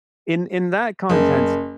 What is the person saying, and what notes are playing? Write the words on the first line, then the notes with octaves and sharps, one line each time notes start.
in in that contents
F#1